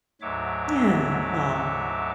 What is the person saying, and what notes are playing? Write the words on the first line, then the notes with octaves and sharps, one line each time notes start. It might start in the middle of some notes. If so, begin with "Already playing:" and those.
Yeah, aw.
D2 G#2 F#3 C#5 E5 D6